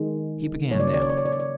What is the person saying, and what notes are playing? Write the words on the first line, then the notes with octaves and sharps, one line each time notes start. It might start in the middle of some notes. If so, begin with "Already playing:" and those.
He began now.
Already playing: D#3 G#3
C#3 F#3 A#3 C#5
D5
C#5
D5
C#5
D5
C#5
D5
C#5
D5